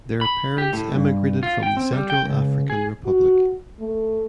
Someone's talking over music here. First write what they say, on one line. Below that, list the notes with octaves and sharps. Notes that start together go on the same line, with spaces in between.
Their parents emigrated from the Central African Republic.
B5
G4
A2
G2
F4
G5
C4
G3
G5
C#2
G#4
F#4
A3